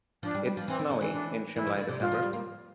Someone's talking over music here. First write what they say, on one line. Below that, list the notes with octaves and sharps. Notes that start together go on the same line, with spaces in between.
It's snowy in Shimla in December.
F3 D4
G3
G3
F3
E3 C4
D3
D3
E3
D4
E3 E4
F3
D3
C3
A#2 F4
F3
G3
A#3